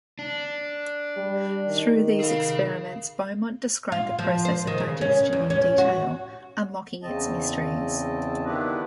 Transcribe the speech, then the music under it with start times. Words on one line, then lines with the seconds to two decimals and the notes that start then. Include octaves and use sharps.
Through these experiments, Beaumont described the process of digestion in detail, unlocking its mysteries.
0.19 D4
1.17 G3
1.68 D#3
2.20 G#4 F5
3.92 F4
4.19 F3
4.45 C5
4.67 D#3
4.80 C#3
5.01 C#4
5.33 E2
5.50 C#4
5.78 F#4
7.03 E2 C#3 C4 D#5 A5
8.45 D#3 B3 D4 E4 G4 B4